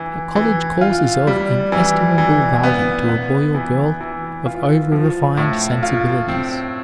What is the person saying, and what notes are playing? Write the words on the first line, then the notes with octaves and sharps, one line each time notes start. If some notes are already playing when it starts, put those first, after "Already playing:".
A college course is of inestimable value to a boy or girl of over-refined sensibilities.
Already playing: E3
E3
F4
G3
E3
E3
B3
B3
E3
E3
F4
F3
A2
F4
C4